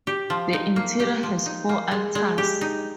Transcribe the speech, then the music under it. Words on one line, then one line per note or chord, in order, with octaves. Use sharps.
The interior has four altars.
G4
F3
D#4
A#3
G4
F3
D#4
A#3
G#3
G#3
G4
D#4